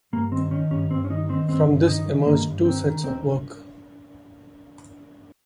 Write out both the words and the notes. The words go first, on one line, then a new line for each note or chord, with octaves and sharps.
From this emerged two sets of work.
G2 A#3
D#3 C4
D#3 C#4
G2 C#4
G2 C4
C#4
D#3 D#4
D#3 C4
G2 C4
G2
D#3 D#4
D#3
G2 A#3
G2
D#3 C4
D#3
D#2 C4